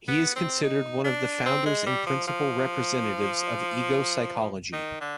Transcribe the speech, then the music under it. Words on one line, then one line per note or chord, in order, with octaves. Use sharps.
He is considered one of the founders and principal representatives of ego psychology.
B3
C4
D#4
D4
C4
G#3
G3
F3
F3
D#3
D3